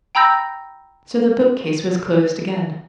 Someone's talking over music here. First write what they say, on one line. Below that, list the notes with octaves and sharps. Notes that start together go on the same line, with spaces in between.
So the bookcase was closed again.
G5 A#5 B5 E6 G6 A#6